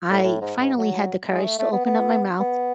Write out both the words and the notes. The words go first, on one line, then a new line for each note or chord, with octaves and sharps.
I finally had the courage to open up my mouth,
A2
A2
G#2
G#2
F#3
G#3
A3
A3
B3
B3
B3